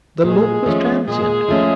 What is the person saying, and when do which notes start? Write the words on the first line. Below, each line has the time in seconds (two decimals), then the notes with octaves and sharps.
The look was transient.
0.24 A#2 G#3 G#4
0.66 F3 A3 C#4
1.07 A#2 G#3 G#4
1.48 F3 A3 C#4